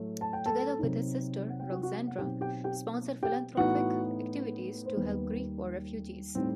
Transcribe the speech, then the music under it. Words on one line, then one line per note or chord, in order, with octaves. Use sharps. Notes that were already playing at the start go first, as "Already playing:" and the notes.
Together with his sister Roxandra sponsored philanthropic activities to help Greek war refugees.
Already playing: A2 F#3 A3
A5
G5
A4 A5
C3 F#3 C4 D#4
F#5
G5
F#4 F#5
F#4 F#5
F#5
B2 F#3 C4 D#4 G4 G5
G4 G5
G4 G5
G4 G5
A2 E3 B3 D#4 F#4 F#5
C5
D#2 D#3 G3 B3 D#4 B4
A2 G3 C4 D#4 C5